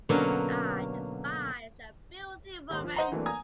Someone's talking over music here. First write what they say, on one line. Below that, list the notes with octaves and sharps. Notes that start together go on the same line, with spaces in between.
I despise that filthy woman.
B2 D3 F#3 A#3 C#4
D#1 D#2 G#2 C6
F3
C5 D#5 F#5 A#5
E3 F#3 A3 A#3 C4 D4
G#5 A#5 D#6 G#6